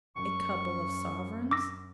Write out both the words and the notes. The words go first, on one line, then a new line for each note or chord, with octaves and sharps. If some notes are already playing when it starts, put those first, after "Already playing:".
'A couple of sovereigns.'
F#2 C#6
D6 E6 A#6